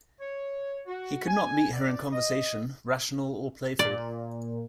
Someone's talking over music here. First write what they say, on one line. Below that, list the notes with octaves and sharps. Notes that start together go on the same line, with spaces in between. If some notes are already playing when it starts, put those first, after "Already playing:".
He could not meet her in conversation, rational or playful.
C#5
F#4
G#5
D5
D#5
A#2 D5